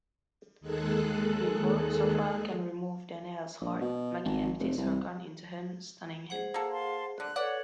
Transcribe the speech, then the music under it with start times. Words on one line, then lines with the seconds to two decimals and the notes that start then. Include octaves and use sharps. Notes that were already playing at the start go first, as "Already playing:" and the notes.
Before Zophael can remove Danyael's heart, Maggie empties her gun into him, stunning him.
0.60 D#2 D#3 G#3 G#4 A4 F#6
3.61 A#1
3.81 B2
4.25 G#1
4.59 F1
4.77 C2
6.30 G#4 C5 F#5
6.54 A#3 A4
6.70 F5 A5 C6
7.20 D3 F#6
7.36 A4 B4 C#5 D5 F#5